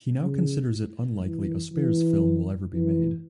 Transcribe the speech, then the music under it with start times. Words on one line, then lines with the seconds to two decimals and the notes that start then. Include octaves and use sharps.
He now considers it unlikely a "Spares" film will ever be made.
0.20 C#3
1.21 E3
1.72 E3
2.73 E3